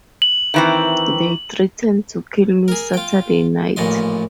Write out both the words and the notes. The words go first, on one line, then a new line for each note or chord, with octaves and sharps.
They threatened to kill me Saturday night.
F#7
D#3 E3 C4
G#4 A#4
F4 G5
A1 A#2 F3 D#5 C6